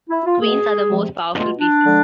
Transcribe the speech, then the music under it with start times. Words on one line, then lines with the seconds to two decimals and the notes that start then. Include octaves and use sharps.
Queens are the most powerful pieces.
0.09 E4
0.25 F4
0.40 B2 A3 G#4
0.88 C3 F3 G#3
1.35 B2 A3 F4
1.58 D4
1.83 D3 F3 G#3